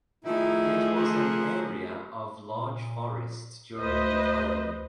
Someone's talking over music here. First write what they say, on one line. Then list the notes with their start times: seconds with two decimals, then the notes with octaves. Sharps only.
It was an area of large forests during the Colony.
0.24 D#3 F3 A3 D#4 E4 G#4
0.95 A#4 C5 F#5
2.50 A#2
3.78 D2 B4 C5 D#5